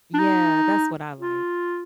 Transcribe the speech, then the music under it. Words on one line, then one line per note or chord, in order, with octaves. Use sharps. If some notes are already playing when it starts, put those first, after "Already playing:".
Yeah, that's what I like.
D4
D#4
F4